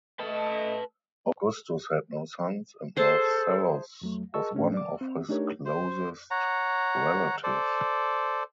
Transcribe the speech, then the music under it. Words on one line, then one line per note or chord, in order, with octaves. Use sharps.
Augustus had no sons, and Marcellus was one of his closest relatives.
A3 B4 D#5 A5
G#4 A4 C5 A5
F2 F#3 A3
G#4 A#4 D#5 A5 C#6 E6
A2 A3 C#4 D4
D5 D6
C4
A3 D4 D#4 G4 A#4 C#5
C5
C#5 F#5 A#5
A4 C5 D5